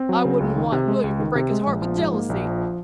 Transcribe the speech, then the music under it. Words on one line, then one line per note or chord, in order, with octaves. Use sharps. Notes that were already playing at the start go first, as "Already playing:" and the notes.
I wouldn't want William to break his heart with jealousy.
Already playing: C4
F#3
C#3
C#2
D#3
C3
G#3
C#2
D#3
C3
G#3
A#1
F3
G#2
A#3
A#1
F3